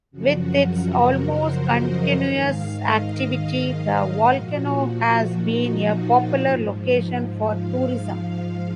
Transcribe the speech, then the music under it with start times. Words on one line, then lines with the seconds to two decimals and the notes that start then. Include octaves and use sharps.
With its almost continuous activity, the volcano has been a popular location for tourism.
0.11 F#2 C#3 F3 F#4
0.65 A#4
1.16 C5
1.68 D#5
2.20 G#2 D#3 F5
2.73 D#5
4.30 A#2 F3 F#4
5.34 D#4
5.88 F4
6.39 G#2 F3
7.43 F5